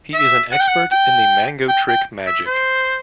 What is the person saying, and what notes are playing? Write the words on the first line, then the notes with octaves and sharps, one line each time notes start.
He is an expert in the "Mango Trick" magic.
E5
F#5
G5
F#5
G5
G5
G5
E5
C5